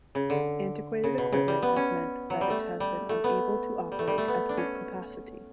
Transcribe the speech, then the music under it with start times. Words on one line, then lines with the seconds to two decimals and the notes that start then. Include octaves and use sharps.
Antiquated equipment has meant that it has been unable to operate at full capacity.
0.15 C#3
0.30 D3
1.04 C#3
1.18 B2
1.32 C#3
1.48 G3
1.62 B3
1.76 C#4
2.30 F#3
2.41 G3
2.50 A3
2.80 G3
3.09 A3
3.24 B3
3.92 G3
3.99 A3
4.08 G3
4.18 A3
4.28 B3
4.49 D4
4.57 C#4